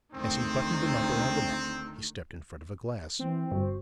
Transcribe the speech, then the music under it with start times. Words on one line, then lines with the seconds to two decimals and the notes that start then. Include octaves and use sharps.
As he buttoned them up around the neck he stepped in front of a glass.
0.14 D2 D#3 C4
3.19 E3 C4
3.51 G1 F#4